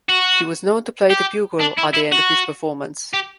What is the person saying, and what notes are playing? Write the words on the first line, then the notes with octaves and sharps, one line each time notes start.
He was known to play the bugle at the end of each performance.
F#4
G4
D4
E4
E4
F#4
G4